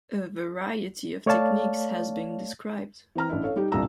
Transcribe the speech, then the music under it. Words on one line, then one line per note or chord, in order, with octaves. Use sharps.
A variety of techniques has been described.
A3 C#5 D5 F5 A5
E3 C4 A#5 F6
A1 D4 E4
A4 C#5 F5
G3 D#4 G4
G1 C2 A#2 D4 A#5 E6